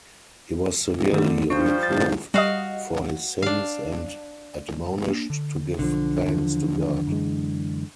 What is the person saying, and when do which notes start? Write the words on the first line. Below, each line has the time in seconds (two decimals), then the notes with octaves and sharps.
He was severely reproved for his sins and admonished to give thanks to God.
1.13 D3 D#3 A3
1.50 F3 G3 D4 C5 C#6
1.83 A6
2.34 G3 F#4 D#5 F5
3.42 D4 F5
5.07 A#3 D4
5.30 D3
5.79 B1 D3 F3
6.27 D#2 E3 F3
7.08 F#2 E3 G#3